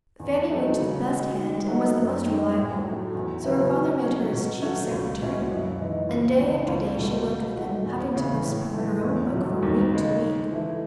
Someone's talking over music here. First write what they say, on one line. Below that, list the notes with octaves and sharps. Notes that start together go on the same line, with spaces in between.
Fanny wrote the best hand and was the most reliable, so her father made her his chief secretary, and day after day she worked with him, having to postpone her own book from week to week.
E2
D#3 F#3 A3 D#4
C#3
G#3 C#4 F#4
D#3
F#3 A3 D#4 F#4
F#2
D#3 G#3 C#4
A2
F#3 A3
E2
C#3 F#3 B3 E4
D#3
F#3 C#4
B2
F#3 A3 C#4 F#4
C#2
B2 G#3 C#4 E4
F#2
E3 G#3 D#4
C#2
C#3 E3
C#2
B2 A3
B2
A3 D#4 F#4
E2
C#3 E3
A2
E3 A3
E2
B2 F#3 A3
D#2
C#3 G#3
G#2
E3 A3 E4